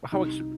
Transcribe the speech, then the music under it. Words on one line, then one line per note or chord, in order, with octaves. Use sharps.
How ex
C2 D#4